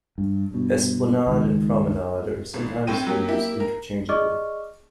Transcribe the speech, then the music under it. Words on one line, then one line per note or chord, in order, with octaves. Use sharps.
"Esplanade" and "promenade" are sometimes used interchangeably.
G2
G2 B2
C#2 D#3 G#3
G#1
A2 A3 C4 G5 D#7
F#3 A#3 G4
A#3 E4 G4
A#4
G#4 D5 D#5 C#6 D6 F6